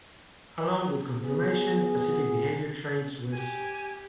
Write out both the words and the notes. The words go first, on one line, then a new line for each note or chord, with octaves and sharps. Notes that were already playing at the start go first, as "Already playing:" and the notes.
Along with conformation, specific behaviour traits were sought.
B3 G#4
G4 G#5